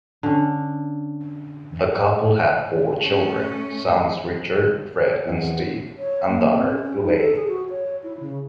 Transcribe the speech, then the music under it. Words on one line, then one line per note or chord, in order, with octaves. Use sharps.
The couple had four children: sons Richard, Fred, and Steve, and daughter, Elaine.
D3 C#4
A3 C#4
E2
C#5
A#3
C4
C#4
C#4
D#4
A4
G#4
F#4
C#5
E4
C#3